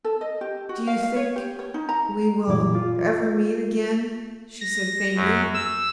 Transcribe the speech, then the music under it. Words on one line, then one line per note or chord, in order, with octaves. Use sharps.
"Do you think--we will--ever meet again?" she said faintly.
A4
D#5
G4
F#4
F5
F5
C#5
G4
C#5
D#4
A#5
F#2 A#2 E3 F#3 E4 D6
F4
A#6
F#2
E6